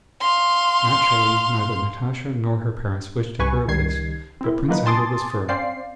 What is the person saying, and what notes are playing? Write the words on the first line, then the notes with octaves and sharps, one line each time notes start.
Naturally neither Natasha nor her parents wished to hear of this, but Prince Andrew was firm.
F5 C6
C2 B4 G#5 C#6
C#2 D#3 G3 G#6 C7
C4 E4
F3 F#3 A#3 D#4 B4
G#5 A5 C6 D6 D#6 A6
C4 C#4 C5 D5 F5 C7